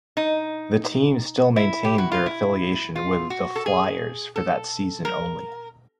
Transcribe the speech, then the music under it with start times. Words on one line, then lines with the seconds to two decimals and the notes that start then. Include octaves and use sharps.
The team still maintained their affiliation with the Flyers for that season only.
0.17 D#4
1.56 E4
1.85 G4
1.98 F#4
2.12 F4
2.26 E4
2.96 F4
3.30 F#4
3.56 A4
3.66 G#4
4.36 A4
5.05 A#4